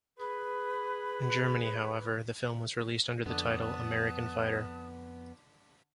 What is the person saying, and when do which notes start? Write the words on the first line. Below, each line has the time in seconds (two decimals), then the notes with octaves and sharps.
In Germany, however, the film was released under the title "American Fighter".
0.19 G#4 B4
3.26 F2 D3 B3 D4 A5 D#6 F#6